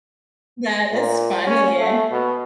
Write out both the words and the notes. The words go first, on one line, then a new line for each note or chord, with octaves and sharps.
Yeah, that is funny.
A#2
C#4
A3
B2